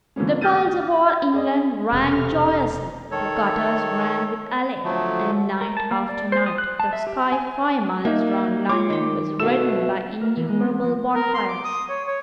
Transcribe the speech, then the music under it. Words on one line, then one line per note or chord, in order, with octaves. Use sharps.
The bells of all England rang joyously: the gutters ran with ale; and, night after night, the sky five miles round London was reddened by innumerable bonfires.
D3 E3 F3 A#3 B3 C#4
D6 D#6 F6 G6 A6 D#7
G#4 D5 D#5
E1 C3 A4 F6
D#3 A4 C#5
D3 F3 F#3 A3
A#4
A5
A#3
D5
C5
D#6
F#6
A5
E5
G4
G#5
A#3 D#4 E5
F4 C#5 C6 D6
D#3 G5
B2 A3 A4 E6 E7
A#4
E3
G#3
C4
F3
A#4
C6
D6
D#6
C#5
C#5